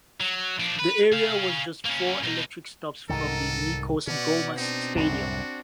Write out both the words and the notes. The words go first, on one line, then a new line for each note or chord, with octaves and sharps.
The area was just four electric stops from the Nikos Goumas Stadium.
F#3
F3 D4
B4
G#4 F5
A#3 C#4
B2 D#4
C2 G#2 D#3 A4 A#4 D#5
B2 C#4 D5 F#5
C4 D4 D#4
C2 F#2 A2 F#4